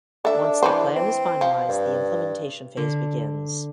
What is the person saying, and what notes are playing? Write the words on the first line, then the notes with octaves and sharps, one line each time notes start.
Once the plan is finalized, the implementation phase begins.
D4 A4 E5
E3 B4 C5
C4
F3
G2
D3